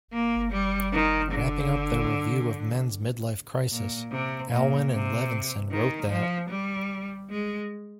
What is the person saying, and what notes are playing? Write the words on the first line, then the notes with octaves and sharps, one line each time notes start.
Wrapping up their review of men's mid-life crisis, Alwin and Levenson wrote that ...
A#3
G3
D#3
D3
A#2
C3
A#2
C3
D#3
F3
G3
G#3